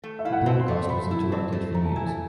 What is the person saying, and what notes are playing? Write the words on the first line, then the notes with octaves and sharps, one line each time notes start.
The broadcast was interrupted for news.
A3
E5
E4 F5
F#5
C4
C6
A3
A3 B5
E4
C4 A5
A3
A3 A#5
A5
E4 G#5
A5